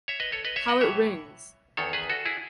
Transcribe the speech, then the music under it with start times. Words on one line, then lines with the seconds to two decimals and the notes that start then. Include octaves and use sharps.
How it rings!
0.08 C#5 E5
0.20 B4 D#5
0.32 A4 C#5
0.45 B4 D#5
0.56 C#5 E5
0.68 D#5 F#5
0.80 A2 E3 C#5 E5
1.77 E2 D#3 A4 C#5
1.93 G#4 B4
2.09 F#4 A4
2.26 E4 G#4